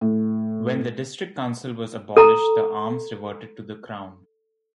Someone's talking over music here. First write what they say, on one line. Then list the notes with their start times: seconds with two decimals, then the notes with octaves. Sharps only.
When the district council was abolished the arms reverted to the Crown.
0.01 A2
2.17 A4 A#5